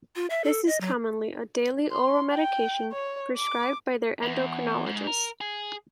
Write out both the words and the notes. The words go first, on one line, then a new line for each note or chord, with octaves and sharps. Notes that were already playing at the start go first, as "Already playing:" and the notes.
This is commonly a daily oral medication prescribed by their endocrinologist.
F4
E5
A4
D#5
F#3
C6
G5
C#5
D6
E2
G#2
A#4
G#4